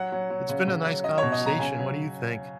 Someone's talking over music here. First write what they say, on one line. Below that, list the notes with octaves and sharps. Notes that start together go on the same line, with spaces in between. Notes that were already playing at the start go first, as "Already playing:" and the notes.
It's been a nice conversation, what do you think?
Already playing: F#3 F#5
F#3
F#3
C#3
C#3
F#3
F#3 D#5
B2 C#5
D#5
F#3 A#5
C#3 G#5
F#3